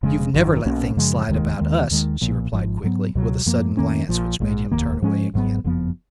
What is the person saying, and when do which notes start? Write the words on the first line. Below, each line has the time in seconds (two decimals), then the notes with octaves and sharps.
"You've never let things slide about us," she replied quickly, with a sudden glance which made him turn away again.
0.03 F1 F2 C#3 G#3
0.34 G#1 F#2 D#3
0.65 B1 B2 A#3 C#4
0.97 F#2 C#3 F3 G#3
1.28 F1 D#2 D#3 G#3
1.59 D#2 D#3 G#3
1.91 D#2 D#3 G#3
2.21 B1 A#2 F3
2.53 G#1 G#2 F3
2.84 G#2 F#3 B3
3.15 C#2 B2 F#3
3.46 F#2 F3 A#3
3.77 F2 D#3 A#3 C#4
4.09 A#1 A#2 F3
4.40 A#1 G#2 D#3 G#3
4.71 F1 D#2 D#3 A#3
5.02 G#2 F3 G#3 C#4
5.34 G#1 G#2 F#3 B3
5.64 F#1 F2 F3 B3